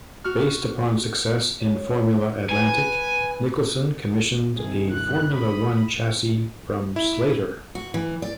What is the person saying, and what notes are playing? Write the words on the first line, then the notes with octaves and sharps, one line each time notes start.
Based upon success in Formula Atlantic, Nicholson commissioned a Formula One chassis from Slater.
F#4 F6
C#5
B4 G#5
G2 C3 D#3 G#4
F#6
B5 D#6
E4
F#4
E3
D5